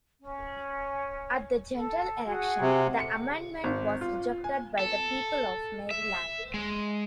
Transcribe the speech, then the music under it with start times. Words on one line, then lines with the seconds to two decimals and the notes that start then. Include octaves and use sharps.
At the general election, the amendment was rejected by the people of Maryland.
0.21 C#4
1.75 A4
2.26 F#4 G#4 F#5
2.61 C3
3.00 C#7
3.64 G#1
4.01 F4
4.44 G#5
4.79 A4
5.91 E5
6.54 G#3